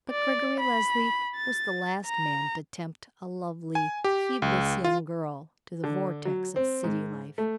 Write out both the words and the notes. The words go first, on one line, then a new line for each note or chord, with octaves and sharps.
But Gregory Leslie was the last man to tempt a lovely, heedless young girl to the vortex of city life.
D5
B5
A6
A#5
G#5
G4
C#2
F4
D3
F#3
C4
G#2
A3